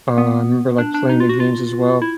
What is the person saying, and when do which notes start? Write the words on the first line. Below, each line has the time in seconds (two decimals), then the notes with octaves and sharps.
Uh, I remember, like, playing the games as well.
0.18 B3
0.78 D4
0.94 D4
1.09 D#4
1.20 F4
1.29 F#4
1.40 F4
2.02 E4